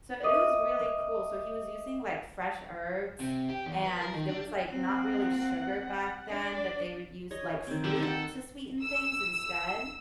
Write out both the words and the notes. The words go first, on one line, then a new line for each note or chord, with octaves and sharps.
So, it was really cool, so, he was using, like, fresh herbs, and there was, like, not really sugar back then, but they would use, like, fruit to sweeten things instead.
A#4 D#5 E5 D6 D#6 D#7
C3
G4
E2
B4
A#4
D#3
D4
A#3 C4 F#5
D4 D5
C#5 D#5
D#3 C4
D3 G4
A4 F#5 G5
E6